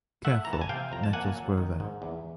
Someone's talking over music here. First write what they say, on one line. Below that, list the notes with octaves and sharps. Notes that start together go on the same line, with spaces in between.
Careful, nettles grow there.
A3 E5 F#5
E3 A#5
A5
G#5
C3 F5 G5
F2 A#5
A5
A#3 F#5 G#5
F#3
D#3
G#2
E2